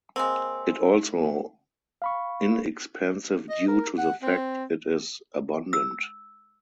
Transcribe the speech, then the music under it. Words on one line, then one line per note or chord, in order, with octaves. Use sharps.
Its also inexpensive due to the fact it is abundant.
G#3 A#3 C4
F5 B5 C#6
D#5
A#4
F#5
C4
E6